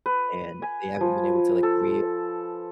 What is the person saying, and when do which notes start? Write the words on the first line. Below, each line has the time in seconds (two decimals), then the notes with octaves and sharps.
and they haven't been able to, like, real
0.06 B4
0.62 G#5
1.01 F3
1.63 A4